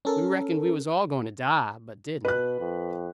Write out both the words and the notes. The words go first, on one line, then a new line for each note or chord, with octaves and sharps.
We reckoned we was all going to die, but didn't.
C#4 A4 A#4
B2 B4 F#6
F2